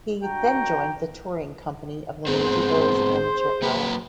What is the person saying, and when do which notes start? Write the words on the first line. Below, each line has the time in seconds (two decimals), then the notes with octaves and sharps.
He then joined the touring company of the "Major Bowes Amateur Hour".
0.23 D4 F#4 G5 A#5
2.27 G#2 B3 C4 G#4 C5
3.62 F#3 A#3 B4